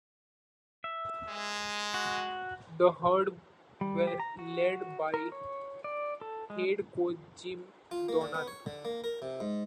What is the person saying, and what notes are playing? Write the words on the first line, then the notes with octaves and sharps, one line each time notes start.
The Herd were led by head coach Jim Donnan.
E5
G#3
F#4
G3
G4
A#5
F#4
A#4
C#5
D5
A4
G#3
F4
A#3
D3
B3
C#5
D3
A#3
A#4
C3
G#2